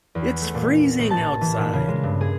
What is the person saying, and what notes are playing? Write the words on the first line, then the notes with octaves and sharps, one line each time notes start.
It's freezing outside!.
E2
A3
A#2
A1
A5
E3
A#2
C#3
G#3
G2
G#4